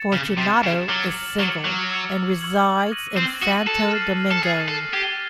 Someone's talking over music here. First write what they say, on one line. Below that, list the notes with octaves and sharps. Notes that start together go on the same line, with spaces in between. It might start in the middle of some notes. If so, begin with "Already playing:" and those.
Fortunato is single and resides in Santo Domingo.
Already playing: A6 C#7 E7
C#3
C3 A6 C#7 E7
C#3
F#3 D6 F6 A6 C#7 F#7
F#3 D6 F6 A6 C#7 F#7
F#3
C#6 E6 G#6 C#7 F#7
C#6 E6 G#6 C#7 F#7
D#6 F#6 A#6 D#7 F#7
C4
F#4 D#6 F#6 A#6 D#7 F#7
A4
F6 A6 C7 D#7
A4
G#4 F6 A6 C7 D#7
A4
G4 G#6 C7 D#7 G7